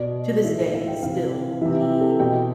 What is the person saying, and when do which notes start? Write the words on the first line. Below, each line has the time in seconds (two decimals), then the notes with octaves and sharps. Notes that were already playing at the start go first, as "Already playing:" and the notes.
to this day, still, he
Already playing: B2 D5
0.44 A2 E3 E5
0.59 E5
0.74 F5
0.88 G5
1.03 C3 E3 F5
1.61 C3 E3 E5
1.81 G4
2.01 A4
2.20 B2 G5